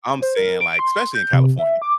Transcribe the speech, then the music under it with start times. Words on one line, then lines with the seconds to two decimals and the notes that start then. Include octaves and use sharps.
I'm saying, like, especially in California,
0.22 C5
0.37 A#4
0.61 D7
0.79 C6
1.15 G6
1.33 C3
1.59 E5
1.82 D6